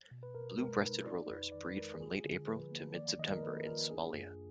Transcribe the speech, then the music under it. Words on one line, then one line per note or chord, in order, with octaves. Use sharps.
Blue-breasted rollers breed from late April to mid-September in Somalia.
B2
B4
B2 A#4
G#3 A#4
D#4 B4
D#4 D5
F2 B4
D#3 D5
B4
G#3 A#4
F4 G#4
D3
F3 B4
A#3
D#3 D5
D#3 D#5
A#4
A#3 B4
F4 A#4
D4 G#4
F#2